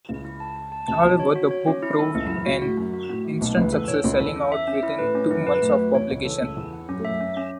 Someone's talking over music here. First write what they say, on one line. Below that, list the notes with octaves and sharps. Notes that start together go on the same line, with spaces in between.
However, the book proved an instant success, selling out within two months of publication.
C#2 C#3 E4
E4
A5
A5
A5
C#2 C#3 A5
B1 B2 F#4
C#5
F#4
C#5
C#4
E4
A4
C#2 C#3 E4
F#2 F#3
E4
E2 E3
C#2 C#3 F#4
A2 F#4
F#2 F#4
F#4
A2 F#4
A3
B1 B2 A3
C#2 C#3 B4
E2 E3 A4
E2 E3 C#5
C#2 C#3 E4
E2 E3 A4
C#4
E5
C#4
E4
A2 A3 B4
C#4
F#2 F#3 E4
F#2 F#3 B4
F#2 F#3 A3
F#4
E2 E3 C#5
C#2 C#3 C#5
E2 E3 A4
C#2 C#3 A4
E2 E3 E4
F#5
F#2 F#3 C#4
A2 A3
E5
F#2 F#3
C#4
C#4